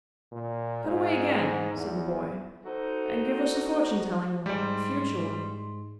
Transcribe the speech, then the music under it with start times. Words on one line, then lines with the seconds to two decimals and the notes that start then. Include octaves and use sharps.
'Cut away again,' said the boy, 'and give us a fortune-telling one; a future one.'
0.32 A#2
0.84 G#2
1.74 E2
2.65 D#4 F#4 A4 C5
4.46 G#2 G3 G#3 D5 C6